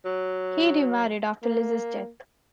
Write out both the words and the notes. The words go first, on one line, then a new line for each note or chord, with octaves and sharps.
He remarried after Liz's death.
F#3
A#3